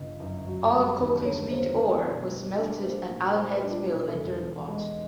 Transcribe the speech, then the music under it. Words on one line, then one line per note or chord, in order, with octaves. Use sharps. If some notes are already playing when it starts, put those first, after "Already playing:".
All of Coalcleugh's lead ore was smelted at Allenheads Mill at Dirtpot.
Already playing: G1 C#3 D#5
F#2
F#3
G3
D#2
D3 C#5
A#3 C5
B3 B4
B2
G3
D4
A#3 C5
A#2
G3 C5
B4
D4
F4
B2 B4
A#4
A4
E1 A#4
E2
G#3